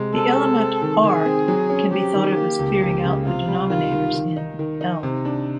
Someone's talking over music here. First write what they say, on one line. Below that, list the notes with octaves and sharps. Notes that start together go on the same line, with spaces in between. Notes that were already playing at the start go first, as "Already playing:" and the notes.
The element "r" can be thought of as clearing out the denominators in "I".
Already playing: C3 G#3
C3 A4
G#3
C4
D#3
D#3 G#4
C4
F#3
C#4
F#3 G4
D#3
A#3
C#2
C#2
C#3
C3 F4
G3
D#3 F4
D#3
D#3
D#4
D#3
D#4
C3
D4